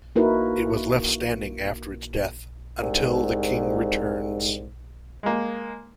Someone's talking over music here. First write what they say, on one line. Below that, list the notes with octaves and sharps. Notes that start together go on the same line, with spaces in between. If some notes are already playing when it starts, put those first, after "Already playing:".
It was left standing after its death "until the King returns".
A#3 D#4 E4 F#4 A#4 B4
C2 G#2
G#3 A#3